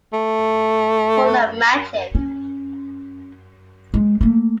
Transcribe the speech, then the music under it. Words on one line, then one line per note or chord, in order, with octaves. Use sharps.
Full of magic.
A3
C#4
G#3
A3 A#3